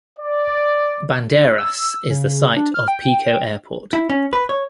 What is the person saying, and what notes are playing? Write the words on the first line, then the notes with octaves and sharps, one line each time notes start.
Bandeiras is the site of Pico Airport.
D5
E6
C#3
D4
F6
G5
E4
C#4
B4
C#5